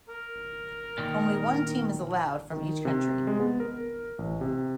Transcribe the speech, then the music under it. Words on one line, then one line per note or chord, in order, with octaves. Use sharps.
Only one team is allowed from each country.
A#4
A#2 D#3
D#3
C3
G#3
B3
A#4
A1
C3